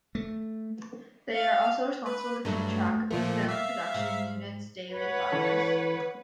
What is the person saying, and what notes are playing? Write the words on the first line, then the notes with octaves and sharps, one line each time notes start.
They are also responsible to keep track of the film production unit's daily progress.
A3
F5
B4
G2 F#3 A3
A#2 F3 A3 A#4
E5 F5
G#2
B4 C#5 F#5
E3 C#4 A4